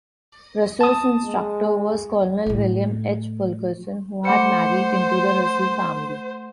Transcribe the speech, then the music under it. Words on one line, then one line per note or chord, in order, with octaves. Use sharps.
Russell's instructor was Colonel William H. Fulkerson, who had married into the Russell family.
A5 D#6
G#3
A2 A3
A3 C5 F#5 C#7